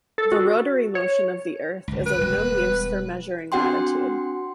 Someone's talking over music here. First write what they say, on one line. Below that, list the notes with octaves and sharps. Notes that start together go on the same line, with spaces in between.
The rotary motion of the earth is of no use for measuring latitude.
A4
F#4
C#5
G1 C#2
B4
E1 G3 G#3
C4 D4 F#4 F#5 G5 C6